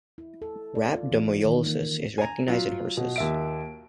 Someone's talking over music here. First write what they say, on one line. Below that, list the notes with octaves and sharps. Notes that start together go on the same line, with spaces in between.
Rhabdomyolysis is recognized in horses.
E4
A4
D5
F4
E3
D#3
A#3
G#5 A#5
F#3 F4
B2
D#2 E5 D7